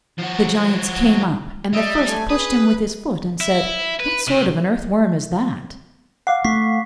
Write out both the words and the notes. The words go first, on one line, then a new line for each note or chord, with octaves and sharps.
The giants came up, and the first pushed him with his foot, and said, 'What sort of an earthworm is that?'
F3 F#4
G3 D#5 E5
A3 G#5
G#4 B4 D#6
E4
B4
C3
F5 F#5 D6 C7
A3 C#6 B6 C7